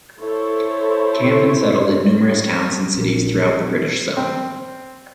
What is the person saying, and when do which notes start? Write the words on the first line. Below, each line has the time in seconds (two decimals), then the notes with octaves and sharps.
Camp and settle in numerous towns and cities throughout the British Zone.
0.20 E4 A4 C5 C#5
2.96 A#1
4.17 C4